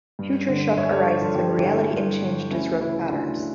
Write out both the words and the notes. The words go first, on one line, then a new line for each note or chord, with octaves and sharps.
Future shock arises when reality and change disrupt patterns.
G2
D3
G2 C#5 E5
A4 C#5
D3
F4 A4
G2 G4
A4
E4 G4
D3
G2 D4 F4
D3
D2 C#4 E4
C#3 E3 C#4 E4
D2 D4 F4
C#3